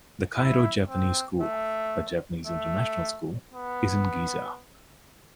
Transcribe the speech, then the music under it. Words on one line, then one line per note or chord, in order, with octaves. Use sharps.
The Cairo Japanese School, a Japanese international school, is in Giza.
E4
C4
A3
A3
B3